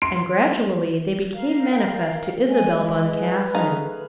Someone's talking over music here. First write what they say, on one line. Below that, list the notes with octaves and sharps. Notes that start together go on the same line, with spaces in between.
And gradually they became manifest to Isabel Boncassen.
C6 D7
A#4 F5
G5
G#3 G#5
E4 B4
A3 D#4 G#4 F5